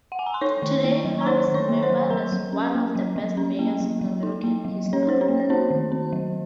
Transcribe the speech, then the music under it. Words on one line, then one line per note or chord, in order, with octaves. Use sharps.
Today, Hoan is remembered as one of the best mayors in American history.
F#5
G#5
A#5
C6
D#4 C#5 C#6
D#3
A#3
F#3
A#5
D#4 C5 C6
D#3
C#5 C#6
A#3
C5 C6
F#3
F#3 A#4 A#5
F#3
C#4
A#3
F#3
F#3
C#4
A#3
F#3
F#3
D#4
A#3
F#3
F#3
C#4 C#5
D#4 C5
C#4 C#5
A#3
C#5
C4 D#4 C5
D#3
C4
F#3